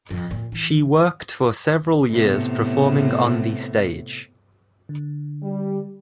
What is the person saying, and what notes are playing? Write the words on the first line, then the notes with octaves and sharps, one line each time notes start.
She worked for several years performing on the stage.
F2
A#2
E3
A2 C3 B3
D3
G3